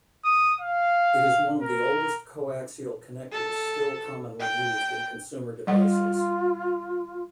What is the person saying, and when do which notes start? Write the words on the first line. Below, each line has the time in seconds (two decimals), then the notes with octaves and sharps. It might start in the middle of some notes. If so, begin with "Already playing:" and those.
It is one of the oldest coaxial connectors still commonly used in consumer devices.
0.24 D#6
0.61 F5
1.61 A#4
3.32 A4
4.40 G5
5.67 G3 F4 F#5